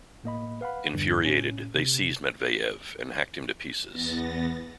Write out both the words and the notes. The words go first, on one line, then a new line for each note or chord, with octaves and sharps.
Infuriated, they seized Matveyev and hacked him to pieces.
A2 A#3 D#5 B5
B4 F5 F#5 B5
E2 G2 D3
A2 C#4
C3
E2 B3 A6 A#6